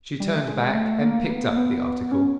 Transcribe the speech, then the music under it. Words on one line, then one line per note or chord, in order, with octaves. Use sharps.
She turned back and picked up the article.
G3
A3
G#3
A3
A#3
B3
A#3
B3
C#4